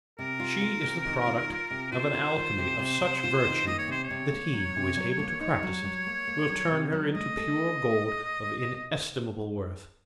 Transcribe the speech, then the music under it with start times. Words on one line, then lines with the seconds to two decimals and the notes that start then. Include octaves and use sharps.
She is the product of an Alchemy of such virtue that he who is able to practise it, will turn her into pure gold of inestimable worth.
0.19 C3 A#4
0.40 F4
0.61 F4
0.83 C3
1.05 D#3
1.27 F4
1.50 F4
1.71 C3
1.92 F4 C5
2.14 D#3
2.36 F4
2.58 C3
2.79 C3
3.01 C3
3.24 F4
3.45 D#3
3.67 A#3 D#5
3.78 C#5
3.88 C3 C5
4.04 C#5
4.10 C3
4.32 A#3
4.53 F#3
4.76 C3
4.97 F#3
5.19 A#3
5.40 D#4 C#5
5.63 F#3
5.84 F#3
6.07 A#3
6.27 A#3
6.50 F#3
6.71 C3
6.92 F#3
7.15 A3 D#5
7.37 A4